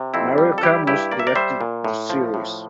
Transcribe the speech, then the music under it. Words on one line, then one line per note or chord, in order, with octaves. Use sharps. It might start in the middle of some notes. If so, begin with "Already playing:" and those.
Mario Camus directed the series.
Already playing: C3
F2 C4 E4
G3
A4
G3 E4 G4
G2 E4 G4
A#3 D5
E5
A#4 D5
G3 C5 E5
A#2
A2
F3
A2